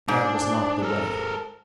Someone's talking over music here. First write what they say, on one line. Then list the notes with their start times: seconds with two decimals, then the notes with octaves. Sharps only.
That was not the way.
0.08 G#2 D4
0.83 A4 A#4